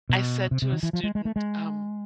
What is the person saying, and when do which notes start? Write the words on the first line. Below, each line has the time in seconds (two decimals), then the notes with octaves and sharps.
I said to a student, um,
0.09 B2
0.51 C3
0.62 C3
0.72 D#3
0.83 E3
0.93 F3
1.04 G#3
1.15 G#3
1.25 A3
1.36 G#3